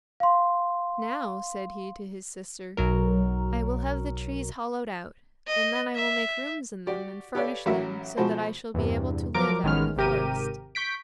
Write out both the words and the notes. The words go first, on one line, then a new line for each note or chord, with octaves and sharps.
'Now,' said he to his sister, 'I will have the trees hollowed out, and then I will make rooms in them and furnish them so that I shall be able to live out in the forest.'
F5 C6
B1 F#3 A#4
D#5
E5
F#4 G4 D5
G4 A4 B4 C#5 D5 F5
A1 F#3 C#4 F#4 A#4 E5
B2 F3 G#3 F#4 C5 A5
E2 G2 C3
F3 F#3 A#4 D6 D7
A1 D#3 G#3 B3 C#4 F6
G#1 C3 G4 A#4 D#7
C#6 G6 B6 D7